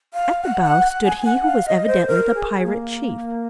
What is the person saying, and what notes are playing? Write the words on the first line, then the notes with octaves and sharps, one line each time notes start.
At the bow stood he who was evidently the Pirate Chief.
F5
F#5
F#5
F#5
G#5
F#5
F5
D#5
C5
A#4
G#4
A#3